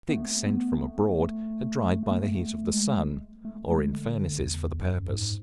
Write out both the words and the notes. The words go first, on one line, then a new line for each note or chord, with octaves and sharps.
The figs sent from abroad are dried by the heat of the sun, or in furnaces for the purpose.
B3
A3
B3
A3
A3
B3
A3
A3
G#3
A3
G#3
D3
E2
F#2
G#2